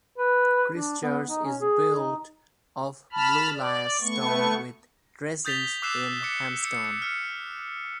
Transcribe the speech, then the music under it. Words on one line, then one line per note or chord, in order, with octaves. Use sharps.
Christ Church is built of Blue Lias stone with dressings in Hamstone.
B4
D4
B3
D#4
C#4
G#4
D#4
A5 B5 F6
D5
A3 B3 C#6
D#6 G6 A6 B6 F7 G7
D6 E6 F#6 C7 E7
D6 C#7
C#7
C#7
F6 C#7